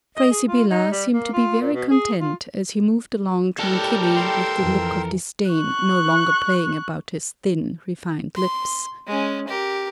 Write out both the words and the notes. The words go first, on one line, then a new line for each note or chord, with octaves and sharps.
Fray Sibyla seemed to be very content as he moved along tranquilly with the look of disdain no longer playing about his thin, refined lips.
D#5
G#4
F4
D#4
G3
A#3
F4
A#2
B2
G#4
F4
A2 G3 G4 A4 A#4 E6 F#6
G5 C6 E6
F2 E3
C#6 F#6
C6
G#3 C#4
G4 A#4